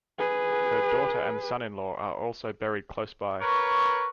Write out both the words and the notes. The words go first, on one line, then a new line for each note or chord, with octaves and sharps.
Her daughter and son-in-law are also buried close by.
G#4 B4
A#4 B4 C#5 C#6